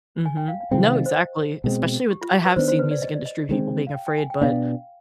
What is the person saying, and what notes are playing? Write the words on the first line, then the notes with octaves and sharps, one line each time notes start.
Mhm. No, exactly. Especially with I have seen music industry people being afraid, but
G#5
G5
F5
F5
C3 D#3 G#3 C4 G5
F5
D#5
C5
B2 G#3 C4
G4
F4
G4
B4
D#3 B3 D4 C5
C5
B4
D5
D#5
D5
D#5
D#3 G#3 C4
F5
G5
G5
G#5
G5
B2 B3 D4 F5